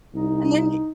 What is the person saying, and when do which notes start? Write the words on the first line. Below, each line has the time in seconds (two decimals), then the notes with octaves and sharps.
And then i
0.14 C2 D#4